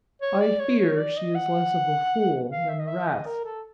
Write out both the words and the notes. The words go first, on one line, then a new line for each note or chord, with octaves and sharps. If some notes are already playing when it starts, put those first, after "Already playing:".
I fear she is less of a fool than the rest.
C#5
D5
C#5
C#5
D5
D#5
F#5
F5
E5
D#5
E5
D#5
A#4
A4